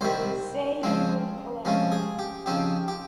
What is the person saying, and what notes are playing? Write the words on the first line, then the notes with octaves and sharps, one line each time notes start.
Say you’ll collect it!
C2 C3 D#3 G3 C5
C#3 F3 G#3 C4
C3 F3 G#3 C#4 F4
G#4
G4
C#3 F3 C4 D#4 G4
G4